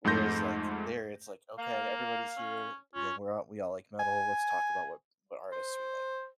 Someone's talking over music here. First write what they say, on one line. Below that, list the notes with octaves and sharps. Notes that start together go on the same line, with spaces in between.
Whereas, like, there, it's like, "Okay, everybody's here, again we're all we all like metal, let's talk about what what artists we like."
F2 G#2 A3 C6 G6 A#6
A#3 F5
C#4
C#4 F4
G#5
C5